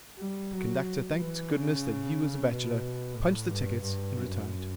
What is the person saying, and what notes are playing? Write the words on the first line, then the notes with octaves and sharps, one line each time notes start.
The conductor thanked goodness that he was a bachelor, punched the tickets, and retired.
G3
F#3
E3
C#3
B2
A2
G2
G2
F#2